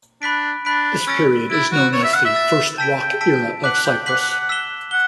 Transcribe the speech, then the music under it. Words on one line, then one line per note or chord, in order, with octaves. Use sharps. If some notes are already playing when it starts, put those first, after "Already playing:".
This period is known as the "First Rock Era of Cyprus".
D4 B5 F#6 B6 D7
D4 B5 F#6 B6 D7
C#4 E6 A6 D7
E4 E6 A6 D7
F#4
C#5 E6 A6 E7
E5
F#5
E5
E6 A6 E7
G5 A5 E6 B6 D7
G5
A5 E6 B6 D7
F#5 D6 F#6 B6 F#7
G5
F#5 D6 F#6 B6 F#7
E6 B6 E7 G7
F#5 G7